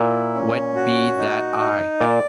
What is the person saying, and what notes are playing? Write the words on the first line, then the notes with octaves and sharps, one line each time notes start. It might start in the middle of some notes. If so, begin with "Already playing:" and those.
Wet be that eye.
Already playing: A#2 E4
C#4
F#4
D#4
D#4
A#2 D5